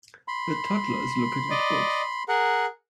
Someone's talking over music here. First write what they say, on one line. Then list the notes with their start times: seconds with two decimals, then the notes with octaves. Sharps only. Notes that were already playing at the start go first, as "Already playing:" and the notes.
A toddler is looking at books.
0.28 B5 C6
1.51 D5 D#5
2.28 G#4 A#4 F#5